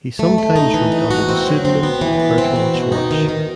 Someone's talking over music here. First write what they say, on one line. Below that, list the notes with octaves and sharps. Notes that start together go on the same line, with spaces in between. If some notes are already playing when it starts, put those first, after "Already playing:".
He sometimes wrote under the pseudonym Berthold Schwarz.
A3
A3
D#4
E3
D#4
F#4
C4
F#3
C4
B3
E3
B3
C4
F#4
B2
D#4
D#3
D#3